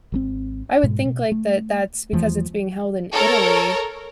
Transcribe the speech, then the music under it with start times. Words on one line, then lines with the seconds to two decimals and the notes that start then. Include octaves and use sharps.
I would think, like, that that's because it's being held in Italy
0.12 G#1 D#3 C4
0.83 G#2 B2 G#3
1.05 B2
1.32 A3
2.13 E2 E3 F3 A3
3.12 A4 A#4 C#5 A#5